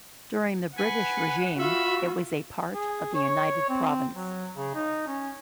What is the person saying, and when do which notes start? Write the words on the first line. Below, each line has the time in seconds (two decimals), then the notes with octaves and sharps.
During the British regime, it was a part of the United Province.
0.77 B4 F#5 G#5
1.59 F4 F#4 E5 B5
2.75 G#4
3.15 C#5
3.69 C4
4.15 F#3
4.57 C#3
4.75 D#4
5.07 C#4